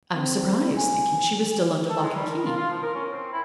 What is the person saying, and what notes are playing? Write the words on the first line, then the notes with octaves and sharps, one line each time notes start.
I was surprised, thinking she was still under lock and key.
C4
G#5
A4
G#3
G3
A#4
F4
F4
F3
A#4
C#4
C4
E4